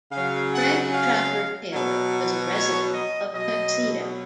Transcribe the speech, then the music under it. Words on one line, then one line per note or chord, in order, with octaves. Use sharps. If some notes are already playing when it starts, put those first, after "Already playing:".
Frank Trafford Taylor was a resident of Tuxedo.
C#3 F#3 F5
F#5
F5
B2 F#3
C#5
D#5
B2 F#3 D#5